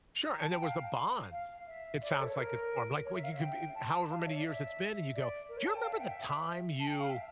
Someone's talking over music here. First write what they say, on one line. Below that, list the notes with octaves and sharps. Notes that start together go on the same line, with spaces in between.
Sure and there was a bond, it sounds like it's formed. Like, when you could be if however many years it's been, and you go, "Do you remember the time you"
A#5
A5
G5
F5
F5
E5
D5
C#5
A4
C#5
A#4
C#5
E5
F5
E5
G5
A5
F5
E5
C#5
D5
E5
D5
A#4
C#5
A5
G5
F5
E5
G5
E5
A5
G5
F5
E5